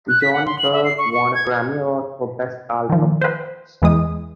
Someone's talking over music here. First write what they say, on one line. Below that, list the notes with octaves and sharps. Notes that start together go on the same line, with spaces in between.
John Berg won a Grammy Award for Best Album Package.
F#6
B6
F#5
C6
F#7
E5
C7
C#6
C#6
G#6
D#3 F3
B4 C5
E2 E3 G#3 D#6